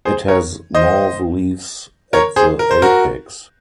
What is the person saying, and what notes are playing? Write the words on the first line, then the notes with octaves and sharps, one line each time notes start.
It has mauve leaves at the apex.
G#4 C5
A#4 C#5
C5 D#5
A#4 C#5
G#4 C5
A#4
C5
F#4 A#4